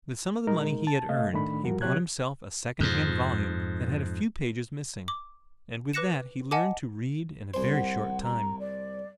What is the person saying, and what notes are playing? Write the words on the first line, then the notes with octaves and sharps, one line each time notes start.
With some of the money he had earned, he bought himself a secondhand volume that had a few pages missing, and with that he learned to read in a very short time.
A#2 G#3 D#4 A#4
A5
C3 A3 D#5 F5
A2 D#3 A3 D4 B5
E2 F3 G3 F#4 A#4
C3 F#3 G4 C#5 F#6 G#6
F2 G#2
D6
B4 D6 F#6 A#6 C#7 E7
D#5 F#5 G#5 A5 D6
C2 C5
F#5
A#5
D5